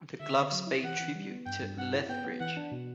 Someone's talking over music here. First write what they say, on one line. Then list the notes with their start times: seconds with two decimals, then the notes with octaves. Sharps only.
The gloves pay tribute to Lethbridge.
0.20 D3 E5
0.37 D3
0.52 F#3
0.67 E4
0.83 E3 F#5
1.00 E3
1.15 G3
1.31 B3
1.46 G2 G5
1.62 G2
1.77 G2 F#5
1.93 E4
2.09 B3 G5
2.24 B3
2.40 E3 F#5
2.57 D4
2.72 B2